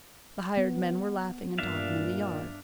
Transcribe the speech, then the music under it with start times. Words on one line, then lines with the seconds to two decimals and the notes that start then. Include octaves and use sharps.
The hired men were laughing and talking in the yard.
0.57 B3
1.58 G2 A#2 D4 E5 F5